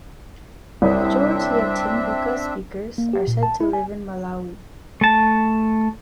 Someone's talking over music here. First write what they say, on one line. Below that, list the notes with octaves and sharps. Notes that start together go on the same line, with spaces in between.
The majority of Tumbuka speakers are said to live in Malawi.
C2 C4 D4 C#5 E5 D#6
A#3
G4
A#2
A5
E4
G#5
A3 A5